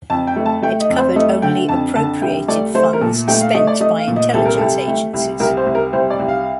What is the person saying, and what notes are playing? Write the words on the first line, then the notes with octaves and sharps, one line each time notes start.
It covered only appropriated funds spent by intelligence agencies.
F2 A5
G5
A3
A5
A3 G5
D#5
F2
C5
A3 D#5
D3 G5
F2 A5
D3 A5
C2 G5
A3 D5
A3 C5
A#4
A#2 A4
A3 G5
F5
A3 D#5
D5
A3 D#5
F5
A#2
D#5
C2 A4
A#4
C2 A4
A3
C2
C2 A#4
C5
C2
A#4
C2 C5
D5
C2
F5